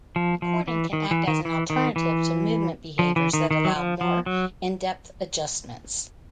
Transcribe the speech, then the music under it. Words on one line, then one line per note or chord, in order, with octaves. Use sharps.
Recording can act as an alternative to movement behaviors that allow more in-depth adjustments.
F3
F3
E3
D#3
E3
D#3
E3
D#3
E3
F3
E3
D#3
D#3
F#3
F3
F3
F#3